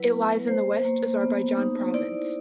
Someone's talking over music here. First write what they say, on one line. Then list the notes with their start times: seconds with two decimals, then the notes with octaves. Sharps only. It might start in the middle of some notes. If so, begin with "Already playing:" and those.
It lies in the West Azarbaijan province.
Already playing: F#3 E4 B4
0.10 B3
0.47 A#3 C5
0.85 A#3
1.21 B3
1.57 D#4
1.94 E4 D5